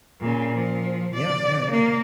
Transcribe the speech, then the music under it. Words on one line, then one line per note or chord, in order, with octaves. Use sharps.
Yeah, yeah, yeah,
A#2 C#3
F3
D5
A#3